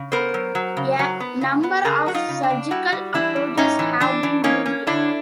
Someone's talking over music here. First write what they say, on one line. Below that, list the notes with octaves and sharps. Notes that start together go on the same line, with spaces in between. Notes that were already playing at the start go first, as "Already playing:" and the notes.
A number of surgical approaches have been used.
Already playing: C#3
B3 A#4 C5
F#3
F#3
C#3
F#3
B3
C#3
B3
C#3 G#4 A#4
F#3 F#4
D#4 F4
C#3
D4
C#3
G3 E4 F#4
G3
E3 D4 E4
G3
A2 C#4 D#4
E3
E3 D4
E3
A#3 C#4 D#4
C#4
D3 D4 E4